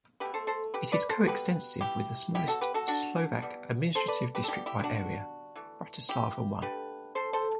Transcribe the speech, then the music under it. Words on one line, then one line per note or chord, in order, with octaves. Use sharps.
It is coextensive with the smallest Slovak administrative district by area, Bratislava One.
B2 A3 G4 B4
A4 C5
A4 C5
G4 B4
B4 D5
A4 C5
B2 G3 B3 G4 B4
E4 G4
B2 F#3 B3 E4 G4
F#4 A4
G4 B4
F#4 A4
D4 F#4
E3 G3 B3
A4 C5
B4 D5
G4 B4
A4
E3 G3 B3 E4 G4
E4 G4
E4
D4 F#4
E3 A3
E4 G4
D3 A3 G4 B4
A4 C5
A4 C5